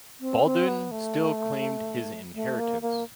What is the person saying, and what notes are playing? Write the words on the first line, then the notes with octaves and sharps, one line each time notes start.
Baldwin still claimed his inheritance.
C4
C4
B3
A3
A3
A#3
A#3